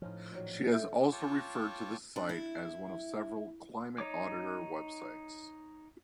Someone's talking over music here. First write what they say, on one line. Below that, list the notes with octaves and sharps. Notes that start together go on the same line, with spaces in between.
She has also referred to this site as one of several "Climate Auditor" websites.
A2 F3 C#4 D#4 F4
A#2 D#3 F#3
A4 E5 G6
F4 C#5 G5 A5 C#6 D6
D4
E4
D#4 C#5 D6